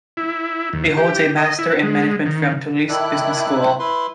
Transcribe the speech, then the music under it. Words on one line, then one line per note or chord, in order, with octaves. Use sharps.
He holds a Master in management from Toulouse Business School.
E4
D#2
G4
D#5
E4
G#3
D#3
D#3 E4 A4 D5 F#6
C5
E4 B4 C6